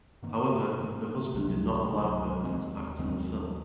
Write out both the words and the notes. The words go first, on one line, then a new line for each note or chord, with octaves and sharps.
However her husband did not allow her to act in the film.
G#2 D#3 A#3
G#2 D#3 A#3
C#2 C3 D#3 F#3
C#2 C3 D#3 F#3
D#2 D#3 G#3 C4
D#2 D#3 G#3 C4